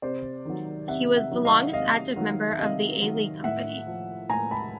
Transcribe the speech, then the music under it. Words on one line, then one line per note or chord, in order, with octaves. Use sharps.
He was the longest active member of the Ailey company.
C3 C5 D5
D#3 F#3
C3 E5 F#5
E5 F#5
D#3 F#3
D#5 F5
C3 D#5 F5
D#3 F#3
E5
C3 D#5 F5
D#3 F#3
A2 E5 F#5
F3
A2 G#5 A#5
A5 B5